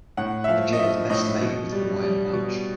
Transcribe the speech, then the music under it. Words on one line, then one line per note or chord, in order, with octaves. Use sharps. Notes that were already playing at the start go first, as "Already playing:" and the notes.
The gin is best made with Hawaiian Punch.
A2 F#5
E5
F3 F5
D#5
F3 E5
A2 D#5
B2
G3
G3
B2